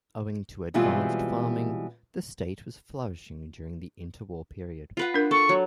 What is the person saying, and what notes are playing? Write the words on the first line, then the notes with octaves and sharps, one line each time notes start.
Owing to advanced farming, the estate was flourishing during the interwar period.
B2 E3 G3 G#3 C4 F4
F4 B4 F#5
D4 A#4
A4 C#6
F#3